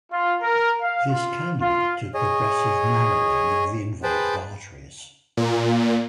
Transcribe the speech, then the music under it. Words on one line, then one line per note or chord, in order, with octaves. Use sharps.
This can lead to progressive narrowing of the involved arteries.
F4
A#4
F5
F4
F4
G#4 C#5 D#5
G#4 B4 C5 G5 A5 B5
A#2